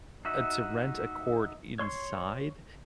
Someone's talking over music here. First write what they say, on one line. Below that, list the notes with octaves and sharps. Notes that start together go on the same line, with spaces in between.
uh, to rent a court inside
D#4 F#4 E5
C#5 C6 C#6